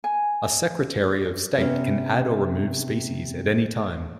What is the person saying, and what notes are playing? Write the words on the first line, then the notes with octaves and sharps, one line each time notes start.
A secretary of state can add or remove species at any time.
G#5
C3 B3 C#4